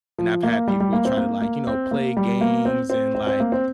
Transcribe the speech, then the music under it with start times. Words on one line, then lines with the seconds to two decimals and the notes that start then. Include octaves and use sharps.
And I've had people try to, like, you know, play games and, like,
0.18 F3
0.43 A#3
0.68 G3
0.80 G3
0.93 A#3
1.05 C4
1.17 A#3
1.41 A#3
1.67 C4
1.91 A#3
2.17 G3
2.41 A#3
2.65 C4
2.90 C4
3.15 C4
3.27 C4
3.40 A#3
3.52 C4